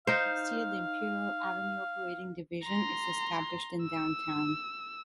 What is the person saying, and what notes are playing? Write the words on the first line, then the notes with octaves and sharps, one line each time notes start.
The next year, the Imperial Avenue operating division is established in downtown.
D#4 C5 F5
A#5 C6
E6